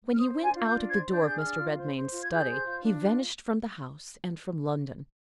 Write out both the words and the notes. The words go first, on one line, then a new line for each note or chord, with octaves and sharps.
When he went out of the door of Mr. Redmain's study, he vanished from the house and from London.
F6
C5 D#6
D4
G#5
F4
G#6
G6
D4
C5 G#6
D4
G6
G#6
G#4 G6
F6
D4
F4
C5
C5
F4
G#6
G#4 G6
C5
F4
D4
F4